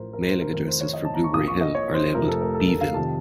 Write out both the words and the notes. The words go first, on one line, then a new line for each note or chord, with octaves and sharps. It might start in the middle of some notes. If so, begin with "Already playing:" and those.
Mailing addresses for Blueberry Hill are labeled "Beeville".
Already playing: A1 A2 F3 A#4 C5
A#4
C5
A#4
F1 F2 D#3 A#4
C5
C#5
D#5
A5
A#5
C#6
A#1 A#2 F3 A#3 D#6
C#6
D#5
C#5
C5
F1 F2 C3 F3 A3 A#4
A4
A#4
A4
A#4
F5
F2 C3 D#3 A5